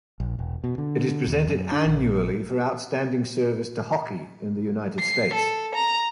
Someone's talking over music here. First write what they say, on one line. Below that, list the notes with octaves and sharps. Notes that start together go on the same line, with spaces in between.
It is presented annually for "outstanding service to hockey in the United States".
A#1
E1
B2
D3
D#2
F#2
D4
A#1
C7
A4
A#5